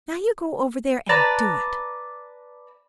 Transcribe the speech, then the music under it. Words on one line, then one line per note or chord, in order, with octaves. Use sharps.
Now you go over there and do it!
B4 D5 A5 A#5